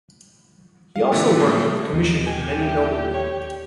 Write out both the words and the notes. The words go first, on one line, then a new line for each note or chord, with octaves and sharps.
He also worked on the commission of many noblemen.
F5
A#2 D3 E3 A3 G4
A2 F3 G3 A3 A#3
D#2 B3 D#4
G4 G#5
E4
C#5